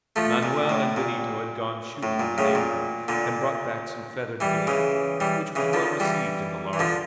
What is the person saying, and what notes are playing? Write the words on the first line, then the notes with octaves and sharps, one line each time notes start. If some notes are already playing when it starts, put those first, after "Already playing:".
Manoel and Benito had gone shooting in the neighborhood, and brought back some feathered game, which was well received in the larder.
F3 A3
A#2
A2
A#2
A2
A#2
A2 C#3
A#2
A#2 D3
E3 G3
C#3 E3
E3 G3
C#3 E3
D3 F3
E3 G3
E3
D3 F3